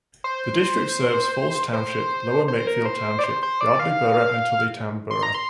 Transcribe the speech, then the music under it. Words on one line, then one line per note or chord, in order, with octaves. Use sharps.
The district serves Falls Township, Lower Makefield Township, Yardley Borough, and Tullytown Borough.
C5
C5
C5
A#4
C5
D5
C5
C5
D5
F5
C6
A#5
C6